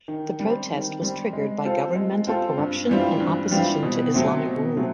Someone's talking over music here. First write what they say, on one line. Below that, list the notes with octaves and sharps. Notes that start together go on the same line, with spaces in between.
The protest was triggered by governmental corruption and opposition to Islamic rule.
D#3
G3 C4
D#3
G3 C4
G#3
C4 F4 A4 C5
G#3
C4 F4 A4 C5
G2
E3 G3 C4 F4
G2
E3 G3 C4 F4
B2
F#3 A3 C4
B2
F#3 A3 C4